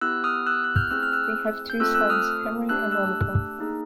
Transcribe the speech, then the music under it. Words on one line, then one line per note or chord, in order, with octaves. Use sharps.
They have two sons, Henry and Oliver.
B3 E4 G4 E6 F#6
D#6 F6
E6 F#6
F#6
F6 G6
A3 C4 E4 G#4 E6 F#6
F6
E6 F#6
G6
A3 C4 F4 A4 E6 F#6
E6 F#6
D#6 F6
A3 D4 G4 E6 F#6
E6 F#6
A#3 D#4 G#4